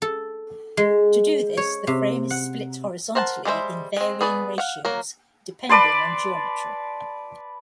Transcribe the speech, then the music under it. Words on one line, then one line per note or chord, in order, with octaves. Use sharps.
To do this, the frame is split horizontally in varying ratios depending on geometry.
A4
G#3
C#5
C3
F#5
A#4 C5 F#5 G5 A5
G3 G#3 A#4 C5 E5
G#3 C4
B3 G#4 B4 D5
F5 F#5
F#3 A#3 A#4
B4 D5 A5 C6